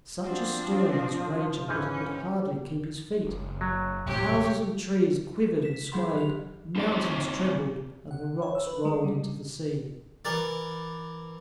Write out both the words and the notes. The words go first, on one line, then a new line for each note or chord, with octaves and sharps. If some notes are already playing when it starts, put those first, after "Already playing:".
Such a storm was raging that he could hardly keep his feet; houses and trees quivered and swayed, mountains trembled, and the rocks rolled into the sea.
F3 C4 D4 F#4 F#5
G#2 E3 C#4 F6 G6
F#1
F#3
D#1 A2 C3 G4 C#5
B6 E7
E3 F#3 G#4 F#5 B5 C6
D#3 G4 F7
C4 D#4 A#4 B4 C#5 D5
F#5
C#5
E6
B4
G#3
G3
E3 A#4 D5